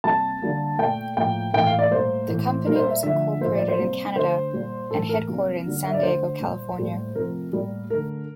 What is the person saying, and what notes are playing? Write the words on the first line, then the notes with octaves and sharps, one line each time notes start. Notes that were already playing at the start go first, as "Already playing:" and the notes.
The company was incorporated in Canada and headquartered in San Diego, California.
C3 G3 A#3 A5
D3 G3 A#3
A#2 A3 G5
A2 F3 A#3 G5
A2 E3 A#3 G5
F5
D5
A2 G3 A#3 C5
A2 E3 A#3
A#2 G3 A#3 A#4
C5
E5
D3 F3 A3 E5
A2 F3 A#3 C5
D5
C5
C3 G3 A#3
D3 A3 C5
A#2 G3 A#3
A2 E3 A3 A4
A#4
C3 G3 A#3
D3 G3 A#3
E5
D5
D3 A3 C5
A#2 G3 A#3
A2 G3 A#3
C3 F3 A3 A#4
A2 G3 A#3
D3 A3 A#4